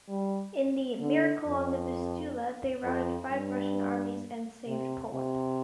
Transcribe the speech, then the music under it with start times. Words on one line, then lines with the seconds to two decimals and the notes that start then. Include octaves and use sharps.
In the "miracle on the Vistula," they routed five Russian armies and saved Poland.
0.09 G3
1.00 D3
1.46 F2
2.84 F2
3.30 G2
4.67 C3
5.14 C3